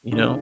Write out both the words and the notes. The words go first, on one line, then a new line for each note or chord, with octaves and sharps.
you know?
D#2 C#3 E3 D4